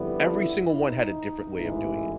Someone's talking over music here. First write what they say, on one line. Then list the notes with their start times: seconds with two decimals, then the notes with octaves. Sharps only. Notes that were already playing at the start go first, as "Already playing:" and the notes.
every single one had a different way of doing it,
Already playing: F2 D3 G3 B3 E4
0.32 E4
0.74 D#4
1.56 A1 G#2 E3 G#3